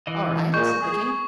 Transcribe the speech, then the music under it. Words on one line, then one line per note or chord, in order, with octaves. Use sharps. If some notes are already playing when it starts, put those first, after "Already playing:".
"All right," said the King.
E3 D#5
A#2 G#3 C#6 G6
G#4